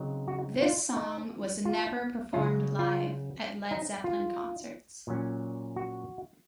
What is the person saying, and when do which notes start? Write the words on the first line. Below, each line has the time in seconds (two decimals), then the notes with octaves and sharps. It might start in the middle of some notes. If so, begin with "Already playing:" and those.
This song was never performed live at Led Zeppelin concerts.
Already playing: C#3 F#3 C4 D#4
0.28 F#4
0.62 F4
0.96 D#4
1.65 F4
2.33 C#3 F#3 C#4 F4
2.79 F4
3.71 D#4
4.04 F4
5.07 A#2 F#3 C#4
5.76 F#4